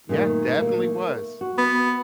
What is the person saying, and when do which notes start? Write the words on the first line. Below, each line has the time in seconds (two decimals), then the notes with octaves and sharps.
Yeah, it definitely was.
0.09 A#2 D#3 A3
0.58 A3 A#3
1.41 F#4
1.58 B3